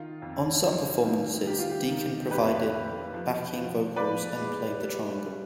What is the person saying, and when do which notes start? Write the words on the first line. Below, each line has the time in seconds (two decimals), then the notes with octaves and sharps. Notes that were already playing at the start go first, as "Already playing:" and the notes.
On some performances Deacon provided backing vocals and played the triangle.
Already playing: D#3 F4
0.22 F2
0.64 D#3
1.06 D#3
1.47 D#3 G4
1.59 F4
1.71 G4
1.88 D#3
2.30 F2 G4 B4
2.72 F2
3.14 F3
3.56 F3
3.96 F3 B4 D5
4.38 G#3
4.80 G3
5.22 G3